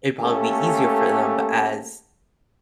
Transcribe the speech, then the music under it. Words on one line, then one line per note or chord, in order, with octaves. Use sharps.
it'd probably be easier for them. But as
A3 A#3 C#4 G4 A4